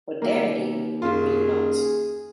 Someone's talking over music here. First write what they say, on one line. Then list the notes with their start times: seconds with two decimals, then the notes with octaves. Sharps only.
But then again, it may not.
0.22 D#2 A#3 G4 E5
1.02 F#2 F4 G#4